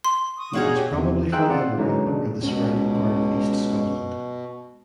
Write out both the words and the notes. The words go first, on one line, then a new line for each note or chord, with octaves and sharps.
He was probably from Edinburgh or the surrounding part of east Scotland.
C6
C#6 D#6
D4 D#4 F#4 G#4 C#5 F5
G4
E2 C3
D#4 F4 G#4 G5 E6 F#6
C4 F4 D5 F#5
D3 E3 F#3 G#3 C#4 D#4
A#2 C#3 D4
C#2 B2 C#4